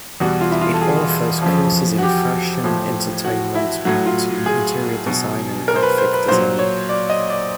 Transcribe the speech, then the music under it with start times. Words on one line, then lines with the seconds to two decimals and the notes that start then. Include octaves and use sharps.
It offers courses in fashion, entertainment, beauty, interior design, and graphic design.
0.20 E2 B2 G3 F#4
0.41 F4
0.51 E4
0.61 F4
0.73 A4
0.82 G#4
1.42 F2 C#3 F3
1.98 F#4
2.03 G4
2.64 A2 F3
3.25 F#4
3.55 E4
3.85 A2 F#3 F#4
4.06 F4
4.46 G#4
5.06 B2 F#3
5.68 A#4
5.76 C5
5.83 B4
5.98 C5
6.14 B4
6.28 A#2 F#3 C5
6.59 C#5
6.89 D5
7.10 D#5
7.30 D5